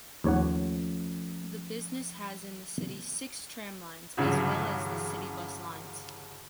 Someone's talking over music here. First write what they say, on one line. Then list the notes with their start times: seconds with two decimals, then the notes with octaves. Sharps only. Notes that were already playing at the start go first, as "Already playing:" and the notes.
The business has in the city six tram lines as well as the city bus lines.
0.24 D#2 F3 A3 C#4 C#5 F#5
4.17 G1 C2 C#3 E3 F#3